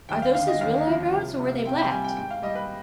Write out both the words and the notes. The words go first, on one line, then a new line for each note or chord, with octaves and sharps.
"Are those his real eyebrows or were they blacked?"
D#2 G5
F5
D3 F5
D#5
D#2 F5
F3
C2
C3
C4 G5
G5
G3 G#5
G5
G#2 G5
F5
G3 D#5
B4